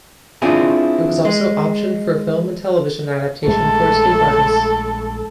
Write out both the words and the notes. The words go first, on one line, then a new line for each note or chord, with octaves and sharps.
It was also optioned for film and television adaptation for Escape Artists.
C4 D4 E4 F4 G#4
G#3
A#1 G#3 A3 A4